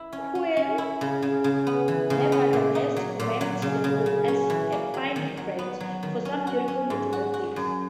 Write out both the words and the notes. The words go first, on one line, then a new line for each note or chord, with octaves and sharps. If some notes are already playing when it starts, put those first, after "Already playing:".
Quinn nevertheless commends the book as "a fine reference" for some beautiful mathematics.
Already playing: E4
C#4
C#4
C#4
E4
C#3
C#3
C#3
B3
E3
C#3
B3
A#2
D#4
F#3
A#2
F#3
C#3
C#3
C#3
C#4
E3
A#3
F#3
D#3
F#3
B3
F#3
D#3
C#4
F#4
C#4
G#2
F#4
F#4
F#2